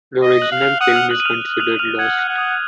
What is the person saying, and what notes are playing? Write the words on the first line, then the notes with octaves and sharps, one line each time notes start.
The original film is considered lost.
D#5
F#6 F#7
F5
F6 F7
F#5 D#6 D#7
F6 F7
F#6 F#7
D#7
F6 F7
F6 F7
F6 F7
F#5 G#6
F#6
F#5
D#6